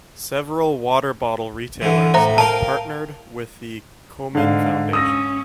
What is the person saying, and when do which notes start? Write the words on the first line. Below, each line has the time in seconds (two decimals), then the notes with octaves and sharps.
Several water bottle retailers have partnered with the Komen Foundation.
1.82 D3 E3
2.14 A2 C5 E5 A#5
2.38 A#4 F5 G5 A5
4.35 G#2 D3 F5
4.93 C#4 D#6 E6 A#6